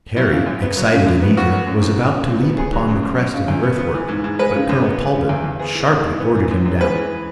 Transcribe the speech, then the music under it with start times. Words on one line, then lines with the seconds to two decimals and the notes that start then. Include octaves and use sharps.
Harry, excited and eager, was about to leap upon the crest of the earthwork, but Colonel Talbot sharply ordered him down.
0.17 F#3 E4
0.31 C#3
0.46 F#2
0.62 B3
0.77 F#3
0.92 C#3
1.06 F#2
1.22 B3
1.37 B3 F#4
1.52 F#3
1.67 F#2
1.82 F#2
1.98 E3
2.13 C#3
2.28 F#2
2.43 B3
2.58 B3 G#4
2.73 F#3
2.89 F#2
3.03 F#2
3.18 F#3
3.34 C#3
3.48 E2
3.63 B3
3.79 B3
3.94 E3
4.09 G#2
4.24 G#2
4.39 G#3 B4
4.54 C#3
4.69 F#2
4.84 B3
5.00 E3
5.14 C#3
5.29 E2
5.44 E2
5.60 B3 G#4
5.75 E3
5.90 G#2
6.05 G#2
6.20 B3
6.35 E3
6.51 F#2
6.65 F#2
6.81 G#3 B4
6.95 E3